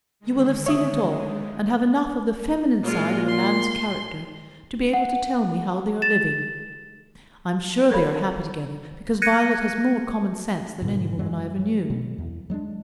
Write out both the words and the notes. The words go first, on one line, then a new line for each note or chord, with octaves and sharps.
You will have seen it all, and have enough of the feminine side of a man's character to be able to tell me how they are living. I am sure they are happy together, because Violet has more common sense than any woman I ever knew.
D3 D#3 G#3
C#5 E5 D#6
A#2 G#3 F4
C6
F#5
A6 E7
A4 A#4 C5 C#5 F5 B5
F#6 G#6 A#6 C#7 D#7
G#2 B2 D3
F#2 F#3 G#3
F#3
B2 F#3 G#3 B3
E2
F#3 G#3 C#4 D4